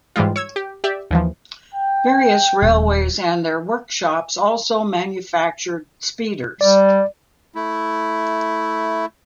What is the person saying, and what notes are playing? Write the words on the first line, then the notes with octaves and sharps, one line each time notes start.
Various railways and their workshops also manufactured speeders.
G#2 E3 G3 G#3 F4
C#5 E6 G#6
G4
G4 D5 E5
D#2 E3 F3
G5
D#1
G3 D5
A3 E4